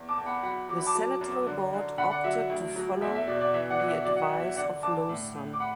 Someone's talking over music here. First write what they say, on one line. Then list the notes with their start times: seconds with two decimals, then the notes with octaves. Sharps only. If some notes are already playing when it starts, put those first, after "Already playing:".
The Sanitary Board opted to follow the advice of Lowson.
Already playing: E2
0.09 A5 D6
0.18 E2
0.26 F#5 B5
0.43 F#3 F#5 B5
0.69 F#3 D6
0.78 B5
0.86 A5 D6
0.95 F#3
1.21 F#2
1.47 D3
1.73 D3
1.98 D3 F#5 B5
2.11 D5 F#5
2.24 F#3 E5
2.50 D2
2.76 F#3
3.02 E2 E5
3.15 E5
3.27 B2 D5
3.41 D5
3.54 E3 E5
3.70 D5 F#5
3.79 E3
3.88 E5
4.05 F#3 D5
4.16 F#5
4.22 E5
4.31 E2
4.40 E5
4.57 D3 D5 F#5
4.82 D3 A5 D6
5.09 A2
5.34 A2
5.53 D6
5.60 F#5 B5